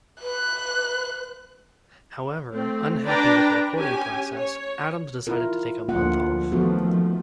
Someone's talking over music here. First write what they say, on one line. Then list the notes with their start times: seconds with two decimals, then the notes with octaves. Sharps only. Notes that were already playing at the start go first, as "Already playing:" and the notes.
However, unhappy with the recording process, Adams decided to take a month off.
0.22 B4 F#6
2.50 A3 C4
3.04 D4 B4 D5 G5 A#5
3.77 C#4 G4 G#5
4.36 C#5
5.27 E4 F4 A#4
5.89 D2 F3 A#3 F4 F#5
6.52 D#3 F3 A3 B3 F#4